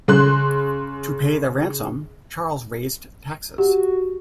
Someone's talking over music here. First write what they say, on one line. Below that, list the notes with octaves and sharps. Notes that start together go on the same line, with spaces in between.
To pay the ransom, Charles raised taxes.
C#3 C6 F#6
F#4 G4